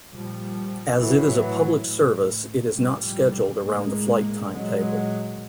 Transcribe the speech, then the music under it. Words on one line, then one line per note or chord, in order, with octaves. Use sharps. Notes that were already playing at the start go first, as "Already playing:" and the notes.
As it is a public service it is not scheduled around the flight timetable.
A#2 F3 G3
A2 E3 F#3
A2
A2 F3 G3
A2 G#3 A#3
A#2 F#3 G#3